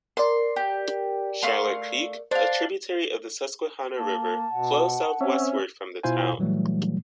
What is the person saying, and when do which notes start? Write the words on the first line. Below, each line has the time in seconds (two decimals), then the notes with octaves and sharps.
Charlotte Creek, a tributary of the Susquehanna River flows southwestward from the town.
0.17 A#4 D5 C6
0.56 G4
1.43 A3 F5 C6
2.31 D4 C5 F5
3.98 A#3 A5
4.52 B2 F#5
5.21 C4 C#4 C#5 E5
6.03 B2 E4 F4 C5 F5 G#5
6.38 A#2 E3 F#3 G3 A3